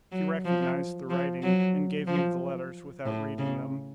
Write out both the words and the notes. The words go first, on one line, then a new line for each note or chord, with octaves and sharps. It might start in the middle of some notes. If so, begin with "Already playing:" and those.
She recognised the writing and gave me the letters without reading them.
F#3
F3
F3
F#3
F3
A2
C#3